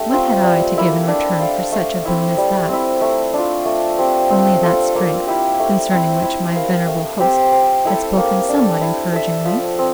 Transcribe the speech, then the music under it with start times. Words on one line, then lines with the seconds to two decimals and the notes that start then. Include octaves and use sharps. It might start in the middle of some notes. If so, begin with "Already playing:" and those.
What had I to give in return for such a boon as that? Only that strength concerning which my venerable host had spoken somewhat encouragingly.
Already playing: A3 D4 G4
0.12 C4 F4
0.43 G3
0.77 A#3 E4 A4
1.08 D4
1.41 A4 D5 F5
1.72 A3
2.05 C4 E4
2.38 G3
2.69 C4 E4
3.01 A3
3.33 D4 F4
3.65 A3
3.98 C4 G4
4.30 C4
4.63 F4 A4
4.95 A#3
5.27 E4 G4
5.60 A3
5.91 C4 E4
6.23 E4
6.56 A#4 F5
6.88 A3
7.20 C4 G4 C5
7.52 C4
7.85 E4 A4 C5
8.18 A#3
8.49 D4 A4
8.81 E4
9.13 A4 E5
9.45 F3
9.79 C4